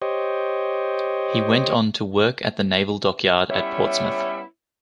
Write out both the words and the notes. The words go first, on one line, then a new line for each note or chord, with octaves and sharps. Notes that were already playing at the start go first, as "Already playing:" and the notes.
He went on to work at the Naval Dockyard at Portsmouth.
G4 C5 C#5 D#5
G3 B3 C#4 E4 C#5 E5